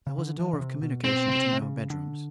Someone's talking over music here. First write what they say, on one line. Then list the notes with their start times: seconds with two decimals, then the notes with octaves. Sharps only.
There was a door of communication between our bedrooms.
0.07 C#3
0.18 D3
0.39 E3
0.53 C#3
0.61 C3
0.82 B2
1.04 B2 C4
1.28 C#3
1.33 C3
1.53 C3
1.62 C#3
1.90 D3